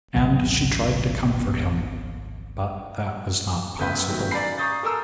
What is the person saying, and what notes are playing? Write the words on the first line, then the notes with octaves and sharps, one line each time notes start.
And she tried to comfort him, but that was not possible.
G#1 C#2 F#3
G1 C#3 A3 B4 G6 B6
F#2
D#3 F#3 A3 C#4
D5 F5 G#5 A#5 B5 C7
A#5 C#6 D#6 G6 A6
A4 A#4 G#5 A#5 E6